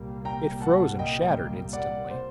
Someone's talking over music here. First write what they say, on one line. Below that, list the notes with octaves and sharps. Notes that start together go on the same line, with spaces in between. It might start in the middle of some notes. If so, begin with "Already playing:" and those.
It froze and shattered instantly.
Already playing: C2 A#2 G3 A#3
G5 A#5
F#5 A5
D#5 G5
D5 F#5
C5